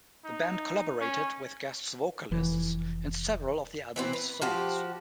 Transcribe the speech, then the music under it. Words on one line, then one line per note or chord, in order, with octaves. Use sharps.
The band collaborated with guest vocalists in several of the album's songs.
D#4
C#4
F1 E3
E3 B3 C4
B4
F3 F#4 G4 C5